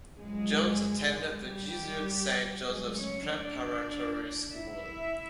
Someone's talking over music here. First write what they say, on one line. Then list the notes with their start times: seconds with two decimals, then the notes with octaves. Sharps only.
Jones attended the Jesuit Saint Joseph's Preparatory School.
0.17 F#2 C#3 F3 G#3 G#4
1.42 G3 G4
2.67 C#3 F#3 G#3 A3 C#4 G#4
2.98 C#4 C#5
3.29 D4 D5
4.54 E4 E5